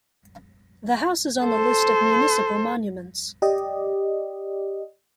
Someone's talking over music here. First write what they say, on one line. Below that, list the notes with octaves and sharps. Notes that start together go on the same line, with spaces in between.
The house is on the list of municipal monuments.
A4 C5
G4 D5 D#5